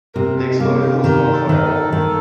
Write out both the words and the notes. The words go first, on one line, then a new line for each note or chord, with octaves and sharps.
The explosion was caused by a bomb.
C3 A#4
A4
D#4
A#3 F4
G4
D#3 G4
A4
D#3
A4
D#3